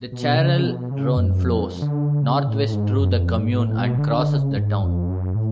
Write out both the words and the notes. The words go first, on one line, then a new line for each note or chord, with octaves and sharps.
The Chalaronne flows northwest through the commune and crosses the town.
B2
C#3
B2
C#3
F#2
F2
D3
C#3
A2
G#2
F#2
F2
G#2
A2
B2
D3
D3
C#3
G#2
F2
F#2
A2